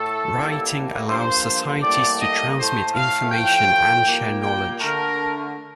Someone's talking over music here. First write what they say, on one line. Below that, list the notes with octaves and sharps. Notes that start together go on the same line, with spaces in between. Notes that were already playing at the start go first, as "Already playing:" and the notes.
Writing allows societies to transmit information and share knowledge.
Already playing: A2 A3 A4
A2 G3 A#3
G2 F3 A#3 C5
A2 G3 A#3 D5
D#5
A2 A3 C5
F5
A2 F3 A3 G5
A#2 G3 A#3
G5
D3 A3 A#4